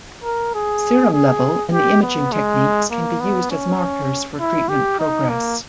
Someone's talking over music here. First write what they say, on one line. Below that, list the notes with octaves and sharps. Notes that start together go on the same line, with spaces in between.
Serum level and the imaging techniques can be used as markers for treatment progress.
A#4
G#4
G#4
G4
B3
G#3
A#3
B3
C#4
E4
G4
D#4
A#3